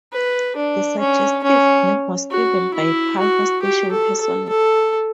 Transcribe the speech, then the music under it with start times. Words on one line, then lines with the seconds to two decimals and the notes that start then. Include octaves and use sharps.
The suggestive name was given by Palmer Station personnel.
0.13 B4
0.56 D4
1.00 C#4
1.44 C#4
2.31 F#4
2.74 E4
3.19 F#4
3.63 G4
3.91 A4
4.21 A4
4.49 A4